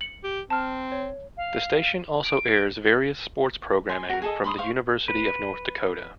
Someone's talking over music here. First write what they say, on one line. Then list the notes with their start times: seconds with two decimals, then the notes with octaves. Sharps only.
The station also airs various sports programming from the University of North Dakota.
0.01 C#7 F#7
0.24 G4
0.50 C4 A5 F6
0.92 C#5
1.37 F5
2.25 D7
3.89 G#5 C6
4.09 F#4 A#4
4.22 G#4 A4 D#5
4.44 B5 C6 D6 D#6
4.58 C5 F5 C#6
5.08 B4